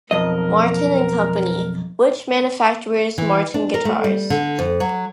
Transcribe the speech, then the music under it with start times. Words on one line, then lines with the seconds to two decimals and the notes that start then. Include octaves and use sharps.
Martin and Company, which manufactures Martin guitars.
0.11 B1 F2 A#4 D#5
3.18 E3
3.54 D4
3.74 A#4
3.85 A3
4.04 G3
4.30 D3
4.59 F2
4.80 F#3